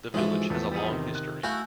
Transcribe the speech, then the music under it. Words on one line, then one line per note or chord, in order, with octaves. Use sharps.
The village has a long history.
G#2 E3 F3 G#3 F#4 G#4 A4 E5
E2 A3
G3 B3 G#4
C3 D#3
F#6
A3 E4 F#4 F5 G#5 G6